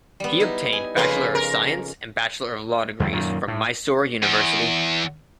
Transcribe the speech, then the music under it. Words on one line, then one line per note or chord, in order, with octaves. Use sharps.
He obtained Bachelor of Science and Bachelor of Law degrees from Mysore University.
G3 B3
D#4 E4
G#5
F2 C#3 A#3 F4 B4
A#4
E2 D3 G3
F#2 A#2 D#3
A2
E2